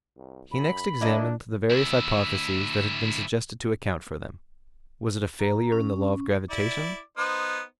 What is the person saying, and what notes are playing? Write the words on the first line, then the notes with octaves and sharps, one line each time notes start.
He next examined the various hypotheses that had been suggested to account for them:--Was it a failure in the law of gravitation?
C2
F#2 B5
A#3 D4 E4 D#5
D2 E4
A#5
C#4
E4 D5
B3 D#4 C5